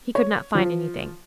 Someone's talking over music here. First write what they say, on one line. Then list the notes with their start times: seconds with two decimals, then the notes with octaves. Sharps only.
He could not find anything.
0.15 C#5
0.55 F3